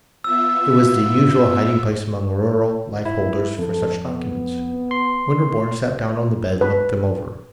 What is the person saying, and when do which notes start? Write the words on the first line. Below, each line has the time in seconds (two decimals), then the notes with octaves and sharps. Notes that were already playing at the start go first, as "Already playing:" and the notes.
It was the usual hiding-place among rural lifeholders for such documents. Winterborne sat down on the bed and looked them over.
0.24 B3 F4 E5 E6
3.05 E4
3.59 F2 A4
4.06 B3
4.91 C6
6.61 B4